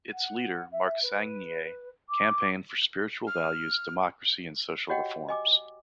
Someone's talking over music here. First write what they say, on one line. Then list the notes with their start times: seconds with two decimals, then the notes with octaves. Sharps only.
Its leader, Marc Sangnier, campaigned for spiritual values, democracy and social reforms.
0.13 F#5
0.72 E5
1.02 B4
2.09 D6
3.27 F6
4.89 F#4 G4 C#5 D#5 F#5 G5
5.29 D#5 G#5 D6